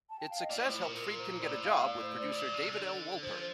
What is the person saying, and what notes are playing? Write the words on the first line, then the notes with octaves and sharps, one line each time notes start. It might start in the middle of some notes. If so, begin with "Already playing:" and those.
Its success helped Friedkin get a job with producer David L. Wolper.
A5
G5
F5
D#5
A#2 D5
C5
A2
A#2 A#4
A#4
C5
A2 D5
F5
D5
C5
D5
A#2
C3
D#3
D3
F3 C5